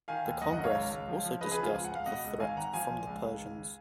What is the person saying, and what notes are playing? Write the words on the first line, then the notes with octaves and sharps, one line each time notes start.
The Congress also discussed the threat from the Persians.
D#3 F5 G#5
D#2
F#2 D#5 F#5
D#5 F#5
G#1
C#5 F5
C#2
C#2
F3
F3
C#3 B4 D#5
G#4 B4
F3
F4 G#4
C#2 G#5
F#5
C#2 F5
B2 D#5 F#5
C#2
G#1 F5 G#5
G#1 F#5 A#5
F3 F5 G#5
A#1
C#2
C#2
G#1